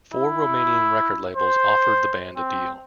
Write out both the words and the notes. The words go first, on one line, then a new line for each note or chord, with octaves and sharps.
Four Romanian record labels offered the band a deal.
E4
C5
C4